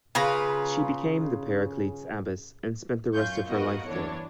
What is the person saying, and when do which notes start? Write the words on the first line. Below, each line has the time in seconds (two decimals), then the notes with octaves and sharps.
She became the Paraclete's abbess and spent the rest of her life there.
0.15 C#3 F4 B4 A#5
3.13 F#2 C#4 F4 C#6 G6
3.48 B3 F#4 A#4 D#5 F5 F#5
3.88 G1 E2 E3 D4 C#5